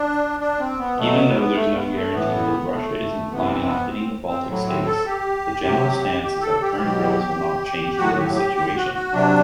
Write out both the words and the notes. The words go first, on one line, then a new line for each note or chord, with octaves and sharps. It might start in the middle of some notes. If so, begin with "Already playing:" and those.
Even though there’s no guarantee that Russia isn’t planning on hitting the Baltic states, the general stance is that the current drills will not change today’s situation.
Already playing: D4
D4
C4
B3
B2 F#3 A3
B3
B3
A3
B3
A3
A2 E3 B3
A3
C3 E3 B3
C4
B3
C4
C4
A2 F#3
C4
A4
G4
C3 F#3
G4
A4
G4
B2 F#3
A2 F#3 F#4
G4
G4
G4
F#4
F#4
C3 F#3 D4